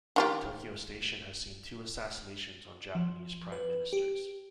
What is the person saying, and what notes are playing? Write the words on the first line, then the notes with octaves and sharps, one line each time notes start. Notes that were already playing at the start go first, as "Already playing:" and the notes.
Tokyo station has seen two assassinations on Japanese prime ministers.
D#3 F4 G4
F3
B4
G4